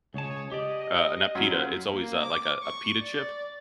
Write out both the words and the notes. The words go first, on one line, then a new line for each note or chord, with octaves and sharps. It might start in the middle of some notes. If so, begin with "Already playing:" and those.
uh, not pita, it's always, uh, like, a, a, pita chip,
C#2 G#4 C#5 A5
G4 D5 D#5
F#2 E4 F4
A#3
D6
C#6
D5